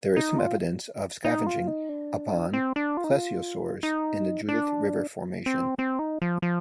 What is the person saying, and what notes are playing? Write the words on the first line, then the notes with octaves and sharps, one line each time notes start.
There is some evidence of scavenging upon Plesiosaurs in the Judith River Formation.
D#4
F4
D#4
F4
D#4
D4
C4
D4
F4
D#4
F4
D#4
D4
C4
C4
D#4
F3
F3